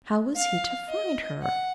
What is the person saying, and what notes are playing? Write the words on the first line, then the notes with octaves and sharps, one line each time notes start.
How was he to find her?
F5
D#5
F#5